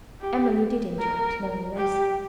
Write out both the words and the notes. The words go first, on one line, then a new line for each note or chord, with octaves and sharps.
Emily did interrupt, nevertheless.
G4
A#4
G4